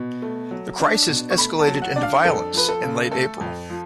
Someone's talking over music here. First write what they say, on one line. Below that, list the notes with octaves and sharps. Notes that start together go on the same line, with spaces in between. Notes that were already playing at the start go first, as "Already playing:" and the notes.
The crisis escalated into violence in late April.
Already playing: B2
A3
F#3
D4
B2
C#6
A3 B5
A5
F#3
F#5
D4 D5
F5
F2 A4
F3 B4
A4
C#3
A3 A4
F2
F3